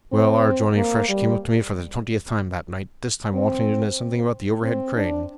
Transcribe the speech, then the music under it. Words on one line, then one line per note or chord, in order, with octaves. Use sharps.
Well, our Johnnie Fresh came up to me for the twentieth time that night, this time wanting to know something about the overhead crane.
C4
A#3
G3
C4
C4
D4